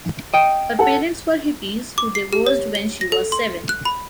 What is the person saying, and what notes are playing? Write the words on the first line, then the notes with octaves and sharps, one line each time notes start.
Her parents were hippies who divorced when she was seven.
D#5 G5
A4 F#5 A5
D6
C7
G4
C#5
G7
A#6
A4
C6
F#6
B5